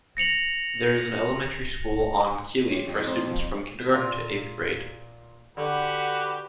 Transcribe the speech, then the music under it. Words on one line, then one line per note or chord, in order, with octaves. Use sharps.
There is an elementary school on Kili for students from Kindergarten to eighth grade.
A#6 C#7 F7 F#7
F4 G4 C#5
F2
C4 D#4 C5
A#2 F4 A#5
D3 F#4 G4 B4